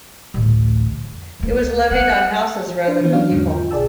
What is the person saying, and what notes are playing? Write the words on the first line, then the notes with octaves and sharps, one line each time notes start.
It was levied on houses rather than people.
A1 D2
F2
C#2 A#3
B3 F#5
D4 B4 C5
E3 B3
F#3 C#4 D4 F#4 C#5 F5
E2 G#2 D3
F4 G5
B1 G#4 D5 A5 E6